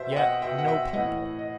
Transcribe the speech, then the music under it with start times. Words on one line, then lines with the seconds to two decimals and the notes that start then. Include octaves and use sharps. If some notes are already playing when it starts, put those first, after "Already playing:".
Yet no people.
Already playing: B2 C5 E5
0.12 G5
0.16 D#5 F#5
0.42 B2 E5 G5
0.58 F#5
0.68 E5 G5
0.93 A2 E3 D#5 F#5
1.39 D#5